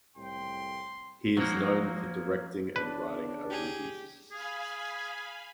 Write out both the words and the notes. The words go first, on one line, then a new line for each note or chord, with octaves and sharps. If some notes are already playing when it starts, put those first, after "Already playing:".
He is known for directing and writing "Aruvi".
C2 A2 G5 C6
F3 F#3 A#3
C#3 D4 B4
G4 G#4
G#4 F5 G#5 B5